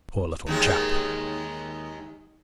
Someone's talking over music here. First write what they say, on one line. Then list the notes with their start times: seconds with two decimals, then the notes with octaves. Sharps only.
Poor little chap!
0.47 D#2 D#3 G#3